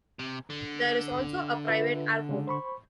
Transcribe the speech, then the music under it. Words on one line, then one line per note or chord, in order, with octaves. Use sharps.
There is also a private airport.
C3
D3
F4 B4 E5
C#3 G#3
C5 B5 C#6